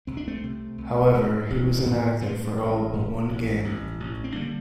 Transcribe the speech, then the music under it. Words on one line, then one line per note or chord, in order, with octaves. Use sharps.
However, he was inactive for all but one game.
C2 C4
D4
A3 C4
C3
C2
C2
A1
A2
A2 A3 C4
A1
A2
A1
A1
A1
C4
D3 G3 A#3